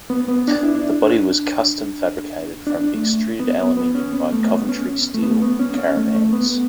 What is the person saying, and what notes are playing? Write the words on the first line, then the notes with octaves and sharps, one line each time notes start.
The body was custom fabricated from extruded aluminium by Coventry Steel Caravans.
B3
B3
D4
E4
D4
D4
D4
A3
B3
B3
B3
C#4
B3
A3
B3
C#4
A3
B3
A3
B3
C#4
C#4
A3
A3
B3